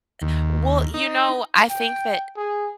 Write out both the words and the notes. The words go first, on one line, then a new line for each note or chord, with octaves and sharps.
Eh Well, you know, I think that
D#2
D#4
G5
G#4